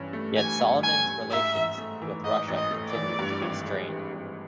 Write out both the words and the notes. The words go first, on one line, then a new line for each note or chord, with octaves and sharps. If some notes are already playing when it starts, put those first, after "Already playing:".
Yet, Solomon's relations with Russia continued to be strained.
Already playing: G2 E3 C#4
A3
E3 G#5
G2
C#4 G#5
A3
G#2 E5
A1
A3
E3
G#2 D#5
A1
D#5
A3
D5
E3
G2
G#1
G#3
E3
G2